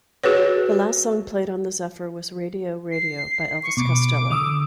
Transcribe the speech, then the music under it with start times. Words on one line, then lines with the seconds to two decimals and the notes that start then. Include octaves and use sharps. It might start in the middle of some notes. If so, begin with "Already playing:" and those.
The last song played on The Zephyr was "Radio, Radio" by Elvis Costello.
0.23 F#4 G#4 B4 C#5
2.91 C7
3.63 C#6
3.77 B2 D6
4.30 D3 D#6 E6